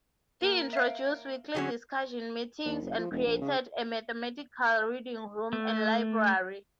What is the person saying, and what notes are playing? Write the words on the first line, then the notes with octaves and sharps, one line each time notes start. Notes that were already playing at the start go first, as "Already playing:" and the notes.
He introduced weekly discussion meetings, and created a mathematical reading room and library.
A#3 A#4
E5 F5
D3 F#3 C#4 G#4
D#2
F#1
F3
E1
A#1
C#3
A3